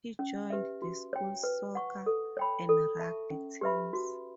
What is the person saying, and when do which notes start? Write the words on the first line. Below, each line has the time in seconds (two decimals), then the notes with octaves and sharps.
He joined the school's soccer and rugby teams.
0.19 C#4
0.50 G4 B4 E5
0.82 F#4
1.13 C#5 G5
1.43 B4
1.75 F#5 C#6
2.06 A4
2.37 C#5 G5 B5
2.69 A4
2.99 E5 A5 C#6
3.31 C#4
3.61 G4 B4 E5 B5
3.93 F#4